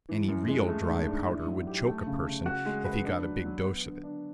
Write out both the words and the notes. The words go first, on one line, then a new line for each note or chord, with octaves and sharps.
Any real dry powder would choke a person if he got a big dose of it.
E3
F#2
G#3
A3
G#2
D4
E4
F#3
G4
A3
C#3
C#3
F#4
G#3
B4
D4
F#3
F#3
B3
D3
D4